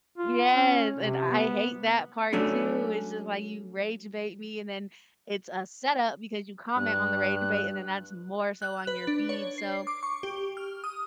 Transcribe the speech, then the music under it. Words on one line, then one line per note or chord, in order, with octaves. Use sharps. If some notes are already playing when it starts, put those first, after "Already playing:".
Yes, and I hate that part too. It's just, "Why you rage bait me?" and then it's a setup because you comment on the rage bait, and then that's more so on your feed, so,
F4
C#4
C3
B3
F#3 A3 C#4 D4
G2 F#6
F#6
B4
D4
C#5
C7
D6
C#6
G4
F6
D#6